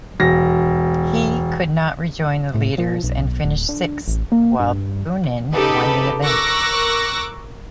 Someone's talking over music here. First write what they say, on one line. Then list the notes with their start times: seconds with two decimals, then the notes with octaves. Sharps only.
He could not rejoin the leaders and finished sixth, while Boonen won the event.
0.20 E1 A#6
2.55 A2
2.78 F3
3.03 B1
3.44 D1
3.69 D3
4.08 A1
4.32 A#3
4.60 G2
5.54 C#3 D#4 G4 A4 B4
6.24 A#4 C#6 D6 E6 F#6 A#6